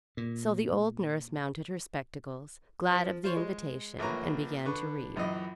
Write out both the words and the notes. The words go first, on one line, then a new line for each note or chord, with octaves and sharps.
So the old nurse mounted her spectacles, glad of the invitation, and began to read.
A#2
F3
F4 C5 C#5
G#3
A#1 A3 A#3 B4 C#5 A#5
D3 B4 C#6
A#1 F#2 E3 D#5